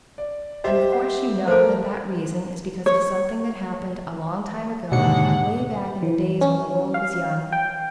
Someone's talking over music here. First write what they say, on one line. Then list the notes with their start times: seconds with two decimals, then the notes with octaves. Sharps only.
And of course you know that that reason is because of something that happened a long time ago, way back in the days when the world was young.
0.18 D5
0.64 G4 C5 D#5 E5
0.92 F#5
1.48 A3 A#4 C5
2.86 C#5
4.92 D#2 G#2 B2 D3 F#5 C#7
6.03 E3
6.41 C#4
6.94 F5
7.52 G5